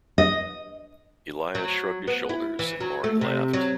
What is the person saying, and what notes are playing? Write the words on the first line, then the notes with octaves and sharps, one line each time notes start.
Elias shrugged his shoulders and Maury laughed.
D#5
F#3
B3
E4
E3
F#3
A3
C3
F#3